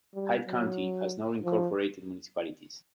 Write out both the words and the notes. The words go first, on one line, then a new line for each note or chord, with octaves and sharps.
Hyde County has no incorporated municipalities.
G3
F#3
F3